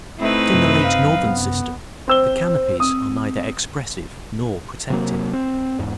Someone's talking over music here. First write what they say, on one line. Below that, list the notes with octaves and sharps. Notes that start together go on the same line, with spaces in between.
But in the late northern system the canopies are neither expressive nor protective.
A3 C4 D#4 E4 B4
F#2 C3
F5
B3
C4 C5 E6 G7
C4 D#6
C3 F#3 A#3
C4
E2 G#2